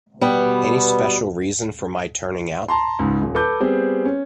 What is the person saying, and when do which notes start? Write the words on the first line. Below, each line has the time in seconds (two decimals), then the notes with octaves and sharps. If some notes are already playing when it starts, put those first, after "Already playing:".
Any special reason for my turning out?
0.21 B2 G3 B3 B4
2.68 A5 A#5 C6
2.99 C#2 G#2
3.22 D#1
3.35 A4 B4 D6 G6
3.60 G3 B3 C4 G#4
4.05 C#4